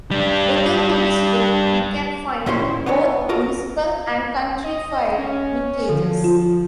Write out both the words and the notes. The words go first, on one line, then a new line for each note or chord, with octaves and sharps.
Within the district you can find both municipal and countrified mintages.
G3 D4
D#2 A#2 C#4 E4 C5 C6
B3 C4 D4 C#5
F4 F#4 A4 A#4
D#5
C#4
D3 F3 A4
F4